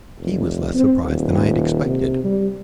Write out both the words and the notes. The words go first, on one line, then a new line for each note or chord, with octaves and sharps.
He was less surprised than I had expected.
F1
C4
D#1
C3
G3